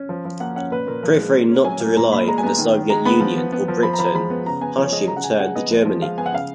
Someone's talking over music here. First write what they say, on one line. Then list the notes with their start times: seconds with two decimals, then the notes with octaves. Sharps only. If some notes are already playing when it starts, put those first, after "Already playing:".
Preferring not to rely on the Soviet Union or Britain, Hashim turned to Germany.
Already playing: C#4
0.09 F3
0.25 F3
0.40 A#3 F#5
0.56 C#4 F#5
0.71 A#2 B4
0.87 A#2 A#4
1.03 F3 A#4
1.19 G#3
1.34 A#2
1.49 C#4
1.65 F#3 G#5
1.80 A#3
1.96 A#2 A#5
2.12 A#2 B5
2.27 G#3 A#5
2.38 G#5
2.43 B3 A#5
2.59 D#3
2.74 D#3
2.90 G#3 A#5
3.05 B3 B5
3.20 F3
3.37 B3
3.52 B3
3.68 F3
3.83 F3 B5
3.93 A#5
3.99 F3 B5
4.04 A#5
4.15 G#3 B5
4.30 B3
4.46 C#3 A#5
4.61 B3 G#5
4.78 F3 C#5
4.92 G#3 D#5
5.08 C#3 A#5
5.16 F#5
5.23 C#3 G#5
5.40 G#3 F#5
5.55 B3 D#5
5.71 F3
5.86 F3
6.01 G#3 F5
6.18 B3 G#5
6.26 F#5
6.33 C#3 F5